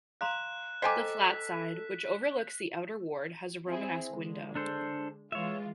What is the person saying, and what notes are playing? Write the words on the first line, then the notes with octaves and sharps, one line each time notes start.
The flat side, which overlooks the outer ward, has a Romanesque window.
F5 A#5 C6 F#6 E7
A4 C5 D#5 G5 G#5 A#5 D6 B6
C4 E4 G#4
D3 G#3
D4 A4 C5
E3 G#3 F4 C#5 E5